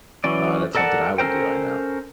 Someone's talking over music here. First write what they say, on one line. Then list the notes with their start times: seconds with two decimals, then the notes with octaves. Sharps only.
Uh, that's something I would do, I know.
0.24 E3 F#3 C#4 D5
0.75 A4 A#4 D5 F#5 A5
1.18 C#4 A4 A#4 C5 G5